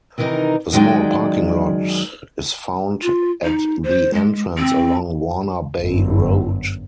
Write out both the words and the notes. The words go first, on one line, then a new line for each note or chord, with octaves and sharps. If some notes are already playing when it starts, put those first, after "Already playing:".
A small parking lot is found at the entrance along Warner Bay Road.
C3 D#3 E3 D#4 A#4
F#2 D#3 F#3 G#3 D5 G5
F4
D#4
C5
G#3
C4
G1 F#2